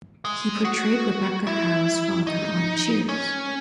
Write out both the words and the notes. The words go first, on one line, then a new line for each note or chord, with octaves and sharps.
He portrayed Rebecca Howe's father on "Cheers".
G#3
F#4
E4
D#4
C#4